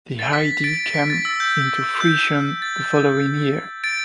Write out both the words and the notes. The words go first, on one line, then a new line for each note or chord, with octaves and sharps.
The idea came into fruition the following year.
A6
B6
B6
A6 D7
B6
A6
E6
G6
G6
A6
A6 D7